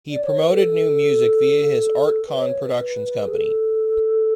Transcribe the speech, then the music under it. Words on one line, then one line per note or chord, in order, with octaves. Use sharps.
He promoted new music via his Art-Con Productions company.
D5
C#5
B4
A4
B4
C#5
B4
B4
B4
G#4
A4